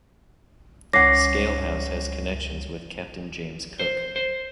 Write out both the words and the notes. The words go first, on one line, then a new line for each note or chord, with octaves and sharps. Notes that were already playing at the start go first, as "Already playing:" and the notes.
Skaill House has connections with Captain James Cook.
C#2 G3 C#4 C#5 F#5 D6 A#6 C7
C5
C5